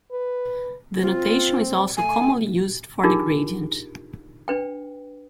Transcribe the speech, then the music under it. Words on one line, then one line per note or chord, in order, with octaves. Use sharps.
The notation is also commonly used for the gradient.
B4
C4 F4
A3 G#5
D4 D#4 F4 G4 G#4 A#4
D4 B4 G5